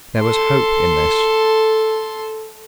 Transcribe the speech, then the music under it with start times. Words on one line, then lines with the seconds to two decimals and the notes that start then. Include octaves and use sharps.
There was hope in this.
0.20 A4 C6